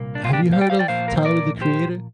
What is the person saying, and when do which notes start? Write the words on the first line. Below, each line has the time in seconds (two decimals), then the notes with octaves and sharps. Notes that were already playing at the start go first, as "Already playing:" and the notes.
Have you heard of Tyler, The Creator?
Already playing: C2 A#2 A#3
0.15 D4
0.25 F4
0.33 D4 G4
0.52 C5 F5
0.61 D5 G5
0.70 C5 F5
0.79 D5 G5
0.88 A#2 F3 A#3 C5 F5
1.08 A#4
1.16 C5
1.25 A#4 D5
1.61 G4 C5